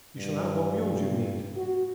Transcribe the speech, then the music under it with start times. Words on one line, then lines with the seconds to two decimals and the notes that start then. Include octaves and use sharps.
You shall have what mules you need.
0.17 G2
1.57 F#4